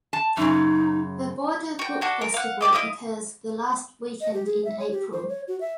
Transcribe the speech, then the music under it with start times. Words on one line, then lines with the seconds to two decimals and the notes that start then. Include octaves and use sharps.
The Border Book Festival occurs the last weekend in April.
0.13 A5
0.37 F#2 C#3 D#4
1.79 F#4 G5
2.01 D4 F#4 A4
2.21 A#4
2.34 F5 F#5
2.61 G4 B4 D5 D#5
2.73 E4 D#5 F5 D#6
4.21 D#5
4.33 G4
4.46 G#4
4.65 E5
4.79 C#5
4.92 G4
5.13 C5
5.29 C#5
5.48 F#4
5.61 E5